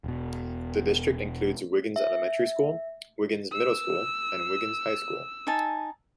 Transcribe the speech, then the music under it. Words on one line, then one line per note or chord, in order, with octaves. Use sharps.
The district includes Wiggins Elementary School, Wiggins Middle School and Wiggins High School.
E1 B2
E5
E6
D#4 G#5 A5